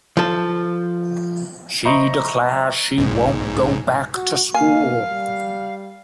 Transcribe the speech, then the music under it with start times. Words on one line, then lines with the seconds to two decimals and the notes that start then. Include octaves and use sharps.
She declares she won’t go back to school.
0.17 F3 A4
1.85 C5 D#5 E5 A#5 B5 C#6
2.98 B1 G#2
4.15 F#4
4.54 A#3 F5 G#5
5.09 G3